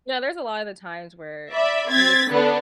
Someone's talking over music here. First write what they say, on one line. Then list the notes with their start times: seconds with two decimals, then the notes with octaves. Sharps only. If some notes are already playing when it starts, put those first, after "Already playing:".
Yeah, there's a lotta of the times where you just
1.53 D5 E5 B5
1.89 C4 G#6 A6 B6
2.30 D3 B3 D4